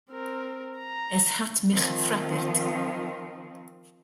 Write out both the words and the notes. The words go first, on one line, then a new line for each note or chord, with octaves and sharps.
Es hat mich frappirt.
C4 A#4
A#5
D#3 F3 C4